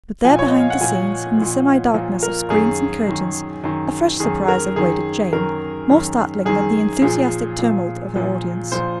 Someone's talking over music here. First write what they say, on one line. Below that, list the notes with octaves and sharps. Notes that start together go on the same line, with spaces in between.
But there, behind the scenes, in the semi-darkness of screens and curtains, a fresh surprise awaited Jane, more startling than the enthusiastic tumult of her audience.
A#2 F3 G#5
C#5
D#5
F5
F#5
A#2 F3 G#5
A#2 F3
A#2 F3
A#4
F#2 D#3 G#4
F#2 D#3
F#2 D#3
F#2 D#3 G#4
A#4
F#2 D#3 G#4
F#2 D#3 A#4
F#2 D#3
F#2 D#3 G#4
A#2 F3 G#4
A#2 F3
A#2 F3
A#2 F3 C5